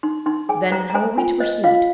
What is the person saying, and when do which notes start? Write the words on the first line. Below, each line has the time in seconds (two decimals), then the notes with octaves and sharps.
"Then how are we to proceed?"
0.03 D#4 C6
0.26 D#4 C6
0.49 G#4 G#5
0.72 C5 A#5
0.90 A#5
0.95 C5 G#5
1.18 F4 G#5
1.40 C5 D#5
1.64 F4 F5